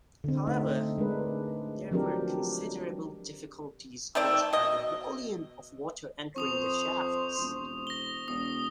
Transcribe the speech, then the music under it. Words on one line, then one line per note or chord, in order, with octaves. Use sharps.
However, there were considerable difficulties caused by the volume of water entering the shafts.
D3 C4
A3 D#4 E5
G#3 D4 A#4 B4
F3 F#3 C4 D4 G4 A#4
D#3 A3 C4 D5
B2 D#5
F2 C5 C#6 D#6 F7
E1
A#6 G7
E1 D#6